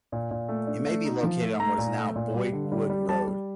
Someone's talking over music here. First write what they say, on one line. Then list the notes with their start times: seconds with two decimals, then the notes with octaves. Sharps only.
It may be located on what is now Boyd Wood Road.
0.12 A#2
0.31 A#2
0.49 A3
0.67 D4
0.86 A3
1.05 D#4
1.23 F3
1.42 A3
1.59 A3 A#5
1.78 A#2
1.97 A3
2.16 A#2
2.34 G3
2.53 D3
2.72 G3
2.90 G3
3.09 G3 A5
3.27 G3